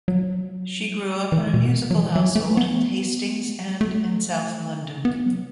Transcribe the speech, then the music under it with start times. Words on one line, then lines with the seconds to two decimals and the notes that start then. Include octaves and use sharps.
She grew up in a musical household in Hastings and in south London.
0.08 F#3
1.32 E3
1.54 B2
1.91 F#3
1.94 E3
2.16 F#3
2.35 A3
2.57 B3
3.81 A3
5.05 B3
5.26 F#3